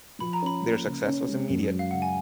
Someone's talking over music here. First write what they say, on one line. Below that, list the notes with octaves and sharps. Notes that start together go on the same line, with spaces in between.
Their success was immediate.
F3 B5
A#5
C#4 B5
A#3
C#3
C#4
G#3
F#2
F#3
F5
C#3 F#5
G#5